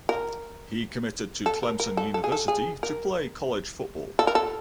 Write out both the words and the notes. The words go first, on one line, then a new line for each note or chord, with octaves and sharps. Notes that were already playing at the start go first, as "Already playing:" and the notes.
He committed to Clemson University to play college football.
A#4
A4
A#4
A#4
A4
A4
G#4
A4
G#4
A#4
A4
A#4
A4